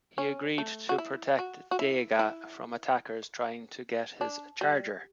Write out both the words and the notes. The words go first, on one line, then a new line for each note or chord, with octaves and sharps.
He agreed to protect Dega from attackers trying to get his charger.
C#4
A3
F#4
E4
F#4
F#4
E4
E4
D4
G3